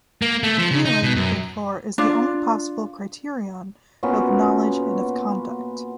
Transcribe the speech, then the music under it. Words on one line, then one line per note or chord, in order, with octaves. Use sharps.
Feeling, therefore, is the only possible criterion of knowledge and of conduct.
A#3
A3
F3
C#3
D#4
B2
F#2
D4 F4
A#2 B3 C#4 F#4